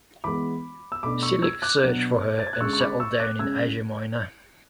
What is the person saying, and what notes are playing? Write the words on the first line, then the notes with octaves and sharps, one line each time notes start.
Cilix searched for her and settled down in Asia Minor.
E3 G#3 B3 B5 D6
E6
B2 A3 D4 B5 D6
C#6 E6
E6 G#6
D6 F#6
B2 F#3 B3 D4
A6
G#6
F#6
D3 G#3 C#4 C#6 E6
C#6
B5 D6
C#6 E6
D6 F#6
C#3 G#3 C#4 E6 G#6